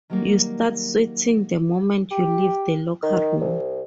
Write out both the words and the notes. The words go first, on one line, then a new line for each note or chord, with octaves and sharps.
You start sweating the moment you leave the locker room.
D#3 F#3 G3 A3 A#3
G4
D#3
C2